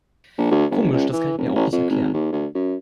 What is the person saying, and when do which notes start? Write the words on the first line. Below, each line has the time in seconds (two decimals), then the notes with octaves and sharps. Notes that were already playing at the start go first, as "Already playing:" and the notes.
Komisch, das kann ich mir auch nicht erklären.
0.38 A#1
0.51 D2
0.71 G1
0.93 C#2
1.13 E3
1.39 F1
1.56 A1
1.72 F2
1.90 G#1
2.13 D#2
2.32 D2
2.55 F#2